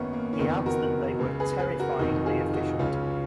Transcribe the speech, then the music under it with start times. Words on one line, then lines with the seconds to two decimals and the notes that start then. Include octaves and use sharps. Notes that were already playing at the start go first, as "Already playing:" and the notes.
He adds that they were terrifyingly efficient.
Already playing: G#1 F#2 D#3 A#3 B3 C#4
0.13 A#3
0.33 C#4
0.39 F#1 F2 D#3 B3
0.66 F#4 A#4
1.19 C#2 C#3
1.40 G#4 B4
1.60 G#4 B4
1.79 F#4 A#4
1.99 F1 F2 D#3 D#4 F#4
2.26 F4 G#4
2.53 D#4 F#4
2.79 C#2 C#3 C#4 F4